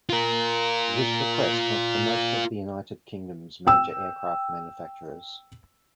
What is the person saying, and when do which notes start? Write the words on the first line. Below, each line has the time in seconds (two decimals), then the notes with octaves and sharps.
This request went to most of the United Kingdom's major aircraft manufacturers.
0.09 F4 A#4
3.67 G5 E6